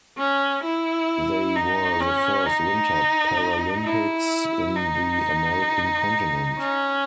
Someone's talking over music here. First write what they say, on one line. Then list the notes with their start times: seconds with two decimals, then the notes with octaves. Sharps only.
They were the first Winter Paralympics in the American continent.
0.18 C#4
0.63 E4
1.55 D#4
2.01 C#4
2.46 D#4
3.84 E4
4.76 D#4
6.59 C#4